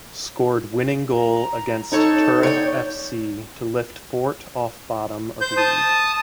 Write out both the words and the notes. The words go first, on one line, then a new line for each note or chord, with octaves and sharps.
Scored winning goal against Turriff fc to lift Fort off bottom of league.
A#5
D#4 A4 C#5 C#6
C#5 D5 G5
C5 G6
A5 D#6